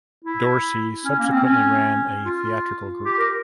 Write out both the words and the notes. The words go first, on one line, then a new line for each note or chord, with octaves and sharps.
Dorsey subsequently ran a theatrical group.
E4
C#4
A#3
C#4
C4
C#4
F4
G4
A#4